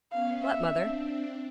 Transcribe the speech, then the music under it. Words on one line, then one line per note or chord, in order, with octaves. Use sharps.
"What, mother?"
B3 C#4 F5
E5
C4 D4